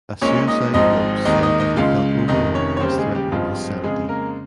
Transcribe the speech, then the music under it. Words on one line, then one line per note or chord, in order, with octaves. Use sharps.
A suicide note said that he felt overwork was threatening his sanity.
A#1 A#2 G#3 C#4 C#5
D#4 D#5
G#1 G#2 F3 G#3 D#4 D#5
D#2 D#3 G#3 D#4 D#5
D#4 D#5
D#4 D#5
C#2 C#3 G#3 F4 F5
F1 F2 D#3 D#4 D#5
C#4 C#5
C#5
D#2 C#3 G3 C4 C5
G4
G#3 G#4
G3 G4
G#1 G2 F3 G#3 F4
F2 C#3 G#3 G#4
A#3 A#4